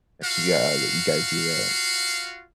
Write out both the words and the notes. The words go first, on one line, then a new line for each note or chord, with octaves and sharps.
that you, uh, you guys do that.
F4 F#4 F5